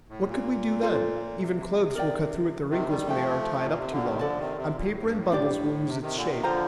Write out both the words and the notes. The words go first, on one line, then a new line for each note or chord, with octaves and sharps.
What could we do then? Even clothes will cut through at the wrinkles when they are tied up too long, and paper in bundles will lose its shape.
A2
A#2
F4 A4 C5
C3
A#4 D5 G5
C3 D#3
D#3 G3
F3 A3 A4 C5 G5
A#2
C3
A#2 D3
C3 D#3
D3 F3 A4 D5 A5
C3 D#3
C3
A#2
A2
G2
A2
D4 G4 D5
C3
C3 D#3
A#2 D3
C3 D#3
D3 F3 F4 C5 G5 A#5